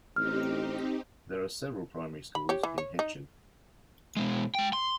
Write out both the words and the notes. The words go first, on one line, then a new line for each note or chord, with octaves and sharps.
There are several primary schools in Hitchin.
A1 C4 D#4 G4 F6
B5
G4 C#5
E3
C#5
D#4
B2 G#3
G#3 G5
C6